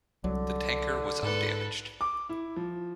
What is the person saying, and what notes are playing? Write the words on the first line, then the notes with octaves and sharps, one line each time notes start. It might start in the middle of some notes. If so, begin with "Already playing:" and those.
The tanker was undamaged.
C2 D3 F#3
G#2 A4 B4
D6
E4
F3